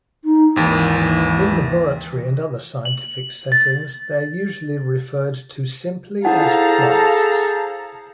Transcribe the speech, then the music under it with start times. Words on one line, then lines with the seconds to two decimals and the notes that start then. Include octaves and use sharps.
In laboratory and other scientific settings, they are usually referred to simply as flasks.
0.24 D#4
0.56 G#1 D#2 E3
2.85 F#7
3.52 A6
6.25 E4 G#4 A4 C5 F5 F#5 A5 A#5